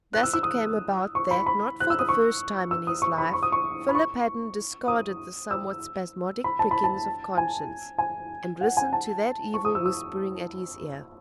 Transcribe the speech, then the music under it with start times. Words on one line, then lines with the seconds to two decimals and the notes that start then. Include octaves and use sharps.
Thus it came about that, not for the first time in his life, Philip Hadden discarded the somewhat spasmodic prickings of conscience and listened to that evil whispering at his ear.
0.14 F#6
0.23 E6
0.34 E6
0.43 D#6
1.15 C#6
1.31 B5
1.46 B5
1.80 F#6
1.90 E6
1.99 D#6
2.09 C#6
2.71 E6
2.87 D#6
3.02 C#6
3.18 B5
3.33 C#6
3.43 D#6
3.52 C#6
3.89 B5
3.95 C#6
4.88 D#6
5.51 E6
6.44 B5
6.59 A5
6.71 B5
6.84 A5
7.38 G#5
7.98 G#5
8.61 F#5
8.77 G#5
8.93 A5
9.54 C#6
9.65 D#6
9.75 E6
9.86 E6